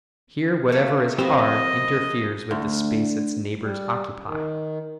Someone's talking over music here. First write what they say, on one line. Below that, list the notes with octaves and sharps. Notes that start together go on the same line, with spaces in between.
Here whatever is hard interferes with the space its neighbors occupy.
A3 A#3
F3 C4 E4 F#4 G4 C5 D#5
D2
G3
D#3